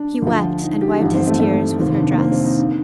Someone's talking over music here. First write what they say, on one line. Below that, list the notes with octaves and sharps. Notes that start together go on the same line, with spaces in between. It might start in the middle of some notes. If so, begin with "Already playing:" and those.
He wept and wiped his tears with her dress.
Already playing: D4
D2 D3 F3
D#4
G4
D4
A1 G2 D3 F3 D#4
C4
A3
A3
F1 D#2 D#3 C4
D4
A#3
C4
C4
D#4
D3